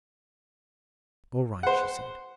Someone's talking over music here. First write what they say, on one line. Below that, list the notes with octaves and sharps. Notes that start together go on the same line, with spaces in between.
"All right," she said.
C5 F#5